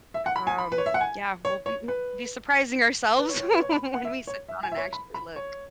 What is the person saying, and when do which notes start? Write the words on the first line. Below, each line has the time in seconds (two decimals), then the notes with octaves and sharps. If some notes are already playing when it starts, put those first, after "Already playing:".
Um, yeah, we'll be m be surprising ourselves when we sit down and actually look.
0.14 E5
0.26 F#5
0.36 B5
0.47 G#5
0.58 B5
0.72 B4
0.78 C#5
0.86 E5
0.94 F#5
1.01 G#5
1.45 C#5
1.66 C#5
1.88 B4
3.18 B4
3.29 C#5
3.40 C#5
3.51 B4
3.62 C#5
3.72 B5
3.94 F#5
4.05 E5
4.27 C#5
4.48 E5
4.63 G#5
4.72 E5
4.78 C#5
4.93 B5
5.14 B5
5.36 C#5